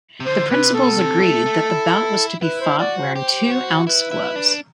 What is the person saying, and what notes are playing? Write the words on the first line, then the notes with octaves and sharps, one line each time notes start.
The principals agreed that the bout was to be fought wearing two ounce gloves.
C3
D3 C5
C3 B4
B2 A4
C3
A3
A3
E4
E4 B4
C5
F#4 D5
C5
G4
F#4
E4 B4
E4
D4